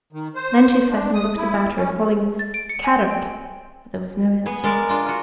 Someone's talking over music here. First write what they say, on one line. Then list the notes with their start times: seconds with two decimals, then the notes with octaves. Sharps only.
Then she sat and looked about her, calling "Kadok!" but there was no answer.
0.13 D#3
0.35 C5
0.89 D4
1.14 D#6
1.37 E4
1.76 C#4
2.39 A6
2.54 D7
2.69 C#7
2.84 G#5
3.11 G5
4.46 B3 G#4
4.64 G#3 A#4 D5
4.89 D4 F4
5.06 F4 F#4